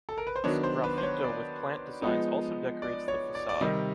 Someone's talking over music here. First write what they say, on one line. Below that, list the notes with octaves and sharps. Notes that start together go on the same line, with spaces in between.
The sgraffito with plant designs also decorates the façade.
A4
A#4
B4
C5
D#3 F#3 B3 D4 C#5
C5
B4
C5
C#5
D5
F3 G#3 B3 D#4
D5
C#5
D5
D5
C3 D#3 G3 D#5